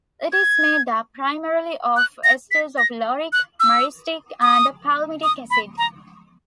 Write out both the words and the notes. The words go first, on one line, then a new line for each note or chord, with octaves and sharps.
It is made up primarily of esters of lauric, myristic, and palmitic acid.
G#6
F#6
A#6
B6
A#6
F#6
E6
D#6
D#6
B5
A#5